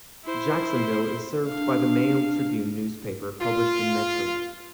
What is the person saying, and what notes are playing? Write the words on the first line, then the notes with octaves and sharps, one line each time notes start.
Jacksonville is served by the "Mail Tribune" newspaper, published in Medford.
E4 C5
D4 F5
F4